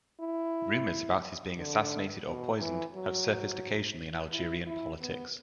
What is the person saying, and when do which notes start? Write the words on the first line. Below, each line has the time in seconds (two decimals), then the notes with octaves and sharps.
Rumors about his being assassinated or poisoned have surfaced occasionally in Algerian politics.
0.21 E4
1.58 D3
2.27 B2
2.61 E3
2.95 F#3
4.32 E4
4.66 E4
5.00 B3